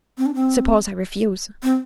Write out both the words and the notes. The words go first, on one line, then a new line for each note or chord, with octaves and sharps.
"Suppose I refuse?"
C4
D4
C4
C4